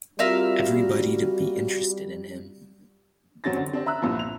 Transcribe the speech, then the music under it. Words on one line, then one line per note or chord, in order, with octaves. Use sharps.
Everybody'd be interested in him.
G3 C4 F4 F#4 A#4 E5 F5
F#2 F#3 C4 C#4 A6 A#6
D3
C4 D4 G4
E5 A#5 E6 F#6
C2 G2 A#2 F3
F7